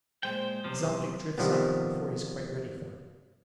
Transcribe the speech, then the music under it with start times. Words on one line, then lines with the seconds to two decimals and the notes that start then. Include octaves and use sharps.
His object drifts up, before he is quite ready for it.
0.23 A#2 G#3 C5 G5
0.64 B1 C3 F3
1.38 C3 D#3 F3 G3 B3